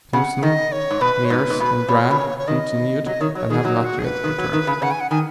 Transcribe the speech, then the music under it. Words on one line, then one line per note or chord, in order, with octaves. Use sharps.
Simpson, Meares and Gran continued and have not yet returned.
C#3 F#5
D#3 D#5
C#5
G#2
B2 B4
C#5
G#2 B4
G#2
B2
B2 C#5
B2
C#3
C#5
D#3 D#5
F#3 D#5
D#3 C#5
F#3 C#5
D#3 G#4
F#3 D#4
F#4
G#4
B4
D#3
F#3
D#3
C#3
C#3 F#5
G#5
F#5
D#3 G#5